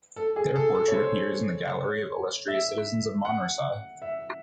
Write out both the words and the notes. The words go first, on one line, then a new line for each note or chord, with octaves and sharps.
Their portrait appears in the Gallery of illustrious citizens of Manresa.
A4
G#4
A4
A4
C#5
C5
C#5
E5
F#5
E5